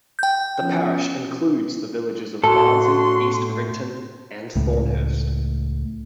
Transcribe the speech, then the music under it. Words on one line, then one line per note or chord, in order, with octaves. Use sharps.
The parish includes the villages of Bardsey, East Rigton and Thornhurst.
G5 G6
F3 B3 C#4
A2 F#4 A4 C6
C#2 A2